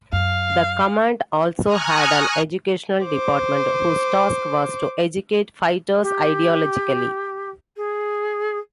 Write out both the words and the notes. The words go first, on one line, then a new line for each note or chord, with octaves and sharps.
The command also had an educational department whose task was to educate fighters ideologically.
F#2 F5
G#5 A#5 C#6 D#6 F6 F#6
C5 D6
G4
G#4